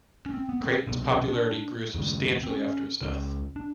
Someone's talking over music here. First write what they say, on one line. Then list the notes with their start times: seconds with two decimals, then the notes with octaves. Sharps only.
Creighton's popularity grew substantially after his death.
0.26 C#4
0.34 C4
0.49 B3
0.61 C4
0.87 C2 B2 B3
1.02 C4
1.14 C#4
1.28 D4
1.95 D#2 C#3
2.43 C4
2.49 C#4
3.02 C#2 C#3
3.56 D4